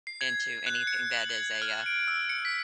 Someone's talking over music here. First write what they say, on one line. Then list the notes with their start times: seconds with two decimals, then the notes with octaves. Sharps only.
into anything that is a, uh
0.07 C7
0.21 G#6
0.66 F#6
0.87 C#7
1.14 F#7
1.29 G#6
1.62 F6
1.86 D7
2.08 E6
2.29 C#7
2.45 B6